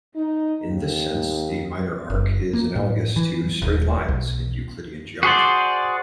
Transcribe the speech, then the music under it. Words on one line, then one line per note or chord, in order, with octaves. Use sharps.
In this sense, the minor arc is analogous to "straight lines" in Euclidean geometry.
D#4
D#2
F#1
A#3
A2
E3
D#1
B1
F#4 G#4 C5 D5